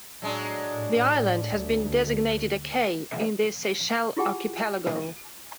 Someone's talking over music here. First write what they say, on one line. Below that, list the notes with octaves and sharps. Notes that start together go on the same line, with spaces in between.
The island has been designated a cay, in the Seychelles Archipelago.
A2 F#3 G#3 D4
D2
E4 F4 G4 G#4 F#5 G#5